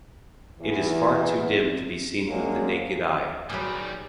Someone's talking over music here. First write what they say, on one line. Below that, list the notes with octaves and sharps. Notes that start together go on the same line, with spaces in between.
It is far too dim to be seen with the naked eye.
E2 E3
F#3 G#3 A#3 C#4 D4 C5
F#2 A#2 D#3 F#3 G3 G#4 B4